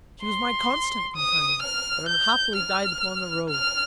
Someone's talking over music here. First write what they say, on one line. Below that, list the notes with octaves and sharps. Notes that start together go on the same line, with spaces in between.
She was my constant Companion; but unhappily died upon the Road.
C6
D#6
F6
G6
F6
F6